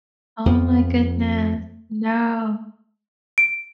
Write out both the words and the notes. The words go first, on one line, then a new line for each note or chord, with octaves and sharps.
Oh my goodness. No.
F2 F3
D7